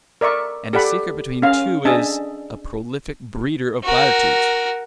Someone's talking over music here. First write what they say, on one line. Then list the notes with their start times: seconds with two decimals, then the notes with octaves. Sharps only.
And a secret between two is--a prolific breeder of platitudes!
0.21 A#4 D5 E5 C#6
0.73 G4 A4 D5 F#5 B5
1.42 C#4 F5
1.85 D4 G#4 D#5 E5 A5
3.83 F#4 A#4